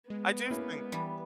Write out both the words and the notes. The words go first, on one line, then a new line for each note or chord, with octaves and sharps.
I do think
G#3 B3
A#3 C#4 E4
E3 G3